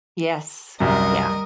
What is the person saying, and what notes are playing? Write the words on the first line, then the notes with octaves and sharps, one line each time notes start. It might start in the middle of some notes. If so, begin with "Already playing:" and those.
Yes. Yeah.
C2 F#2 G3 A#4 D#5